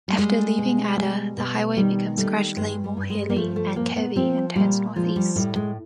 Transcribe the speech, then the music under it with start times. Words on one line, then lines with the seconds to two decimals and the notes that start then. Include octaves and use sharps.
After leaving Ada the highway becomes gradually more hilly and curvy, and turns northeast.
0.08 G3
0.18 G3 G#3
0.58 B2
0.97 G3
1.37 B2
1.77 D#3 G3
2.17 G3 A3
2.57 G2 G#3
2.84 G3
2.97 G2
3.10 G#3
3.30 A#3
3.36 F3 A3
3.56 A3
3.76 A#2 A#3
3.96 B3
4.16 F3 C4
4.55 A#2 G3
4.96 F3 G#3
5.16 G3
5.36 A2 G3
5.56 G#3